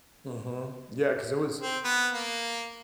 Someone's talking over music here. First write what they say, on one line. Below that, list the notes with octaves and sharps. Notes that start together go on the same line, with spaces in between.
Mhm. Yeah, 'cause they was
C4
B3
A#3